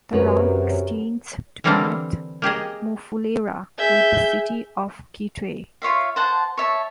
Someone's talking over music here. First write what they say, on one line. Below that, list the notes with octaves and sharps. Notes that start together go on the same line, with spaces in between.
The route extends to connect Mufulira with the city of Kitwe.
F#2 C3 A#4 B4 C#5
D3 E3 G3 A#3 C4 D4
A#3 G4 G#4 D#5
G#4 E5 G#5 G6
F4 C#5 E5 F5
C5 F#5 A5
C#5 E5 A5